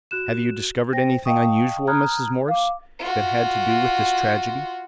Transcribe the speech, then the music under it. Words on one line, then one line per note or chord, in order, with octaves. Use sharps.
"Have you discovered anything unusual, Mrs. Morse, that had to do with this tragedy?"
F#4 F#6 E7
C5 G5 A#6
D#5 F5 G5 A5 C#6 D#6
A#5 B5 D#6 F6 F#6 G#6
F5 D6
F4 F#4